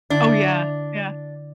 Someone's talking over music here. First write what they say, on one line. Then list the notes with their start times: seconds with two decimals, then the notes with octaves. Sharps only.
Oh yeah, yeah.
0.10 D3 D4 E4 C7